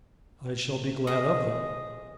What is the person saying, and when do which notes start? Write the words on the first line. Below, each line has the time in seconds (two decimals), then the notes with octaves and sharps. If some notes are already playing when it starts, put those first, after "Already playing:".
I shall be glad of them.
1.07 G#4 D#5